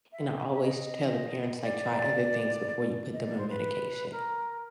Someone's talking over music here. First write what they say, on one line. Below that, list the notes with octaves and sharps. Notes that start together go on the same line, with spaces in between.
and I always tell the parents, like, "Try other things before you put them on medication."
E5
E5
D#5
D5
D#5
D5
C5
B4
A#4